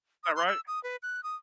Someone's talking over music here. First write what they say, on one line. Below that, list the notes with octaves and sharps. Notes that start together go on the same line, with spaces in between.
That right?
D#6
C6
E6
D#6
B4
F#6
D#6